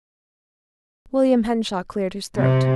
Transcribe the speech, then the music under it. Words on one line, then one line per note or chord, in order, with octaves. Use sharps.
William Henshaw cleared his throat.
C3